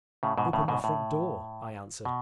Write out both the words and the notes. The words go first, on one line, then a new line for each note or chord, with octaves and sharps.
"Open the front door," I answered.
A2 C#3
G#2 B2
A2 C#3
G#2 B2
A2
B2